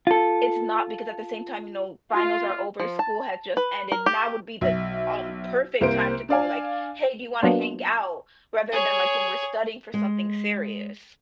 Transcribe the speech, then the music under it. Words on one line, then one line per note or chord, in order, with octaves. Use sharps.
it's not because at the same time, you know, finals are over. School had just ended. Now would be the, um, perfect time to go, like, "Hey. Do you wanna hang out?" rather than, like, when we're studying for something serious.
F4 A4
F4
F3
A5
B4
A#4
G4
B1 E5
C2 A#3 C5 D7
D4 D5 F5 G#5
F#3 A#3 B3 D4 F4
G#4 C#5
G#3